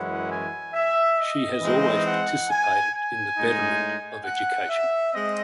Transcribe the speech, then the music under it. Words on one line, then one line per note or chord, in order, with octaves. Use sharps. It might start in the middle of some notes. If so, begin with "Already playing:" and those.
She has always participated in the betterment of education.
Already playing: F#2 E3 G#3 C#4 E4 F#5
G#5
E5
D#5
E3 G#3 C4 D#4
F#5
G#5
G#5
A2 G#3 D#4
F#5
E5
G#3 C4 D#5